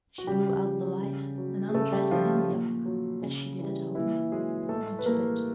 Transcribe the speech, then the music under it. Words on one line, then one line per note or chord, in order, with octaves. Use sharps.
She blew out the light and undressed in the dark as she did at home and went to bed.
F#4
C#3 G3 G4
F3
C#3
F#3
G#4
C#3 A3 A4
G3 G4
F3 F4
A#2
F#3
C#3
E3 G3
A#2 E3 E4
F#3 G#3 G#4
A2 A3 A4
B4
E3 G3 A#3 A#4